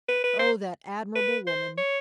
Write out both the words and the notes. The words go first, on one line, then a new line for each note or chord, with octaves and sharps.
Oh, that admirable woman!
B4
B4
C5
B4
C5
C#5